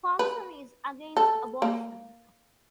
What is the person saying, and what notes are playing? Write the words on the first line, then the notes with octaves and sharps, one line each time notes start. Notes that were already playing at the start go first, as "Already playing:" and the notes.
Paulsen is against abortion.
B4
A4
A#3